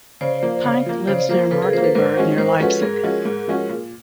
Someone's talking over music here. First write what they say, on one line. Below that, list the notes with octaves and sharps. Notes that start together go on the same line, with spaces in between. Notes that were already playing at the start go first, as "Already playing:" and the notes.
Pank lives in Markkleeberg near Leipzig.
C#3 C5 D5
F3 A#3
C#3
F3 A#3
C#3 C5 D5
F3 A#3 A#4 C5
C#3 A4 B4
G#4 A#4
F3 A#3 A#4 C5
A4 B4
G#2 A#4 C5
F3 G#3 C#4 F#4
G#2 A#4 C5
F3 G#3 C#4 F#4 A4 B4
G#2 G#4 A#4
F3 G#3 C#4 F#4
G#2
F3 G#3 C#4 F#4
A#2